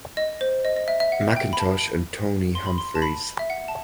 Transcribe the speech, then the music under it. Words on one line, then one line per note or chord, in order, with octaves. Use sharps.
Mackintosh and Tony Humphries.
D#5
C5
D#5
D#5
E5
E5
F#5
G5
B5
A5
C6
B5
C6
A5
B5
E5
F#5
A5